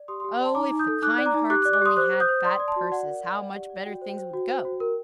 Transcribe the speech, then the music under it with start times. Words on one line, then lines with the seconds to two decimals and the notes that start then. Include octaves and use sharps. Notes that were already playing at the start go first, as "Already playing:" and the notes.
Oh, if the kind hearts only had fat purses, how much better things would go!
Already playing: D5
0.08 G4 C6 D#6
0.20 G4 C6 D#6
0.40 D5 A5 C6
0.55 D#4 A#5 D6
0.71 D#4
0.79 D#6 G6
0.87 A4
1.02 D#4 D6 F#6
1.18 D5
1.26 A#5 D6
1.34 D#4
1.50 G4 D6 F#6
1.61 D6 F#6
1.65 D5
1.73 D6 F#6
1.82 G4 C6 D#6
1.97 C5 D6 F#6
2.13 C5
2.20 D#6 G6
2.29 C5
2.44 D5 C6 D#6
2.60 D5
2.68 A5 C6
2.76 F#4
2.92 D5 F#5
3.07 A#4
3.23 D5
3.38 D5
3.54 G4
3.70 D5
3.85 F#4 G5
4.01 C5
4.09 G5
4.17 C5
4.34 F#4
4.48 C5
4.65 F#4
4.80 A#4